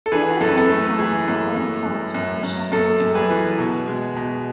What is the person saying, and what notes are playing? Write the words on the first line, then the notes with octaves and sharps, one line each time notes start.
Porter Valley Parks are all part of the Sheffield Round Walk.
A4
E3 G#4 B4
F#2 A4
B4
A4
A3 A4
E3 G#4
F#2
F#2
F#2
F#2
F#2
F#2 A4
F#2
G#4 B4
E3
B2
G#3
B2